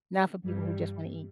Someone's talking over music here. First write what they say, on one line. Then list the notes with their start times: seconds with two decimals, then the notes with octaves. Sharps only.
not for people who just wanna eat.
0.44 G2 E3 G3